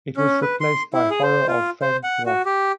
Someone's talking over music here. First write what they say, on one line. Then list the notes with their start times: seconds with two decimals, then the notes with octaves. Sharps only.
It was replaced by "Horror of Fang Rock".
0.17 C#4
0.42 B4
0.60 C6
0.94 E4
1.10 G#4
1.23 C5
1.48 F4
1.82 C5
2.04 F#5
2.26 F#4
2.46 G4